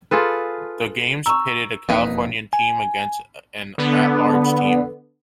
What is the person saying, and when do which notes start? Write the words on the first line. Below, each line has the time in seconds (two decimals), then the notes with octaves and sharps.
The games pitted a California team against an at-large team.
0.11 F4 G#4 A4 B4
1.26 A#5 C#6 E6
1.89 E1 F2 A#3 D#4 B4
2.53 G#5
3.78 D3 B3